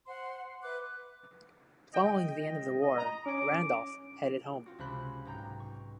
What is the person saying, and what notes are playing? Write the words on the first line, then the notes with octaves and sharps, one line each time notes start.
Following the end of the war, "Randolph" headed home.
C5 F#5 C6
B4 E5 D6 F#6
D#5 G5
D#5
A#5
C#4 D6
C4 F4 F#4
C#2 C3 C5 B5 F#6
B1 G#2 G5 A#5 G6
C#6